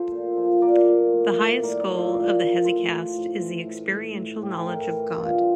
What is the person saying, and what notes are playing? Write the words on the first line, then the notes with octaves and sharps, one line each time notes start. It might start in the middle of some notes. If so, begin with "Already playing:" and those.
The highest goal of the hesychast is the experiential knowledge of God.
Already playing: F3 A4 C5
A#2
F3
A#2 A#4 D5
A#2
A2
A2
A2 A#4 D5
A#4 D5
F3
C5 E5
F3 A#4 D5
F3
A2 A4 C5
F3
A2
E3
A2
A2
A2
A2 G4
A4
A2 G4 A#4
E3
G2 F4 A4